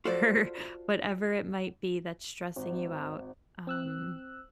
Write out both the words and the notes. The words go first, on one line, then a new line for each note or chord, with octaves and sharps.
or whatever it might be that's stressing you out." Um
F4 F#4 A4 C5 D5 F5
G#1
C4 E6 F#6